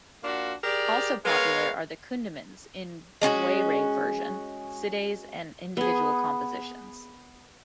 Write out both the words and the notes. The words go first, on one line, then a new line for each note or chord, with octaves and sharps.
Also popular are the kundimans in Waray version, sidays and individual compositions.
A#3 D4 F4 F#4
G4 G#4 A#4 D5
G#3 B3 A#4 C#5 F5
G#3 C#4 F4 F#4
B3 G#4